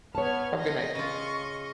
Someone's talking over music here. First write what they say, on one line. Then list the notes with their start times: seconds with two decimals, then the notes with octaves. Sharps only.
Have a good night.
0.15 B3 C#5 A5 F6 G#6
0.59 D#5 A#6
0.95 C#3 F4 C#6